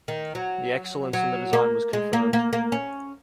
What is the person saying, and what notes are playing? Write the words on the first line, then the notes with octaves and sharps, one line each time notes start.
The excellence in the design was confirmed.
D#3
F#3
F#3
A#3
G#3
A#3
A#3
A#3
C#4